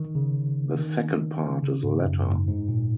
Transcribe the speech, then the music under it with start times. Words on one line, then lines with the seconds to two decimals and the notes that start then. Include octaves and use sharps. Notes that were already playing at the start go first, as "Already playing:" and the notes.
The second part is a letter.
Already playing: D#3
0.15 C#3
0.79 D#3
1.63 C#3
1.84 G#2
2.06 F#2
2.27 G#2
2.48 G#2
2.69 A#2